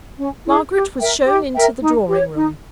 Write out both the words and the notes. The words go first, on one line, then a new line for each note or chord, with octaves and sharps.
Margaret was shown into the drawing-room.
C#4
E4 G#4
G4
A#4 E5 G5
G4
A#4 E5 G5
D#4
G4 C#5
D#4